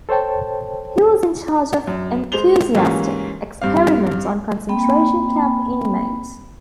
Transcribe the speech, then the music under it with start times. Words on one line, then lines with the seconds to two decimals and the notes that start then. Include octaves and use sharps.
He was in charge of "enthusiastic" experiments on concentration camp inmates.
0.09 A4 C5 C#5 G5 A5
1.87 F#2
2.32 G#3 C5 F7 G7
2.75 G#2 E3 G3 A#3 C#4 F4
3.61 G2 C4 F5
4.69 A#3 C4 G5 B5